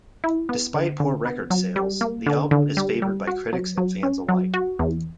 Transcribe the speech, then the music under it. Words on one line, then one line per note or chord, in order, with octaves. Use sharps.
Despite poor record sales, the album is favored by critics and fans alike.
E4
B3
D3
D3
B3
F#3
G3
A#3
D3
D3
G3
G3
F#4
F#3
F#3
C#4
F#3
F#4
E2